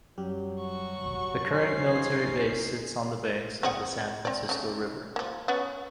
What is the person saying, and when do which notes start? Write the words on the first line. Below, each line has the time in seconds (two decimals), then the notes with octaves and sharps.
The current military base sits on the banks of the San Francisco River.
0.18 F#2 F#3 G3 G4
0.60 F#4 C#6
1.52 C#4 D#4 C5 G#5 C7
3.63 C4 G#4 F#5
4.25 C4 D5
4.49 C#3 A3
5.16 F3 A#3
5.48 B3 C#4 F#4